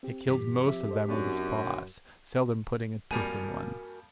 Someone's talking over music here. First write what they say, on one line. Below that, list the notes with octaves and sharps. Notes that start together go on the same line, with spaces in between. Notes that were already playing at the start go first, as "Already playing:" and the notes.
He killed most of them with his paws, seldom putting a tooth in one.
C4 G4
G2 E3 G4
F3 C4 E5
A4 C5 D#5
F#2 C4 D4 D#4
F2 A#2 G3 F#4 A#4 G#5